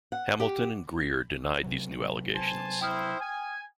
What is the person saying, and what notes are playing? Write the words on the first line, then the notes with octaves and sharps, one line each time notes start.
Hamilton and Greer denied these new allegations.
F#5
G4
C3 F#3
C5 G#5 A5
E4 C5 G5 D#6 F6
G#5